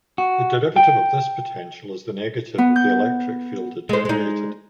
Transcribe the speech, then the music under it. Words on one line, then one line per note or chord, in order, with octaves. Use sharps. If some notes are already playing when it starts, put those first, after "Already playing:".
The derivative of this potential is the negative of the electric field generated.
F#4
G5
B3
G6
G#3 C5
G#3 D#4